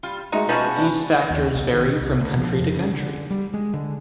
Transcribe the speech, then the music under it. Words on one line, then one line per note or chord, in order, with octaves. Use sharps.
These factors vary from country to country.
G3 F4
G#3 A3 D#4 F#4
B2 F3 C#4 D4 F#4 B4 A5
A2 D4 E4
D#2
B1
D#3
C2
D2
F3
F2
C#3
D3
G3
G#3
D3